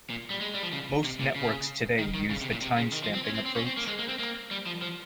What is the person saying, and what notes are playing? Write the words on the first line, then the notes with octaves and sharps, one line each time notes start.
Most networks today use the timestamping approach.
A#2
G3
G#3
G3
F3
C#3
C3
A#2
C#3
D#3
D#3
C#3
C3
A#2
C3
C#3
D#3
F3
C4
C#4
C4
C4
C#4
C4
A#3
G#3
A#3
C4
A#3
G3
F3
F3